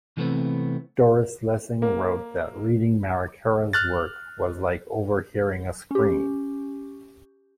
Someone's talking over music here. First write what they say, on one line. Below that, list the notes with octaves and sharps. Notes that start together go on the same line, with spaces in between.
Doris Lessing wrote that reading Marechera's work was "like overhearing a scream".
C3 E3 G3 A3 B3 C4
A#3
F6 F#6 A6
C#4 G4